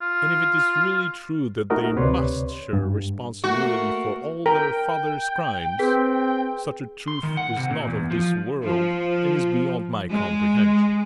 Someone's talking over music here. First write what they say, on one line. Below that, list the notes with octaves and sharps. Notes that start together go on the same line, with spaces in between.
And if it is really true that they must share responsibility for all their fathers' crimes, such a truth is not of this world and is beyond my comprehension.
F4
A3 D#4 F#4 A#4 D#5
D2 C3 B4 C#5 D5 C6
G2
A3 A#3 F#4
A#4 G5
C4 G#4 B4 B6
C6
D#3
F#5
C3
A#2
E2
F3
F3
G#3